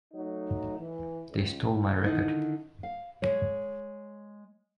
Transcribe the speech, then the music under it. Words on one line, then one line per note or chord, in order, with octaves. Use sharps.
They stole my record.
F#3 A3 D#4
E3
C#2
D3 D#3 D#4 E4
F5
G#3 C#5